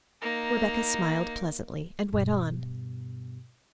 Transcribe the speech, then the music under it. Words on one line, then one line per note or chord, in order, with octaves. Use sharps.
Rebecca smiled pleasantly, and went on.
A#3 D#4
G2 B2